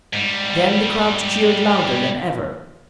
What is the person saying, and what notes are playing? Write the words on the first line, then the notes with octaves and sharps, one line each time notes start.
Then the crowd cheered louder than ever.
G#2 G3